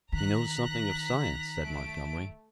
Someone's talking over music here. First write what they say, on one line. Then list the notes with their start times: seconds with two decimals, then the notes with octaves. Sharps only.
"He knows something of science," said Montgomery.
0.12 D#3 A#5 F#6 A#6 B6
1.64 A3 D7